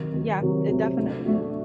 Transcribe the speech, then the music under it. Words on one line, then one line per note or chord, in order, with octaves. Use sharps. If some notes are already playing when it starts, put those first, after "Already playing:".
Yeah. It definitely is.
Already playing: C3 D#3 F#3
C3 D#3 F#3
C3 D#3 F#3
C3 D#3 F#3
A3 D4 F#4
A3 D4 F#4